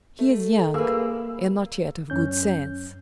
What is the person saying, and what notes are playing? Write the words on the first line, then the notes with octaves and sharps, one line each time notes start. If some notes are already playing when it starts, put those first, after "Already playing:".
He is young and not yet of good sense.
A3
A#3 G#4 B4 E6
F#2 C#4 G6